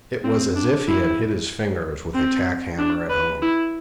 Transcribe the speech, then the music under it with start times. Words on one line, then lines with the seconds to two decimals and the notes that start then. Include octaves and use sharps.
It was as if he had hit his fingers with a tack hammer at home.
0.24 C4
0.56 D4
0.88 E4
2.15 C4
2.78 D4
3.10 B4
3.42 E4